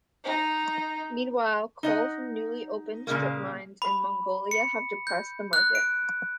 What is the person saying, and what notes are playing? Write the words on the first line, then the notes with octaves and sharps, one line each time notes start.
Meanwhile, coal from newly opened strip mines in Mongolia had depressed the market.
D#4
D#4 D#5 F#5
A#2 C#3 G#3 A#3
B5
C#7
G6
F#6
D7